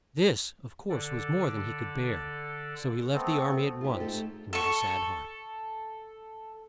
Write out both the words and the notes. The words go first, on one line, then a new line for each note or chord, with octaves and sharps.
This, of course, was more than he could bear, so he left the ar-my at once, and with a sad heart.
D3 A4 D5
A3 B3 C4
G#2 F4 G4
A3 G4 A4
A4 C#6